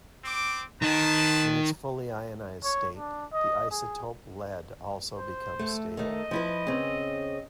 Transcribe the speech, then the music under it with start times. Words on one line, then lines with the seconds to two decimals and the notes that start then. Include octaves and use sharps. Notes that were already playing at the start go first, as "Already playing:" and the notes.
In its fully ionized state the isotope Pb also becomes stable.
0.25 C4 D6
0.82 D#3 D#4 B4 C5 A5
2.64 C#5
2.97 D4
3.33 D#5
3.71 G#4
5.16 C5
5.59 A3
5.97 D#3 A3 D#5
6.31 F3 E4 B4
6.67 C#3 C4